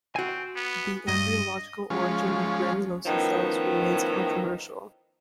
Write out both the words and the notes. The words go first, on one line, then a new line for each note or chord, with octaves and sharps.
The embryological origin of granulosa cells remains controversial.
C4 F#4 G#5
B3
G2 D#5
F3 G#3 C#4
A2 D#3 F3 B3 C#4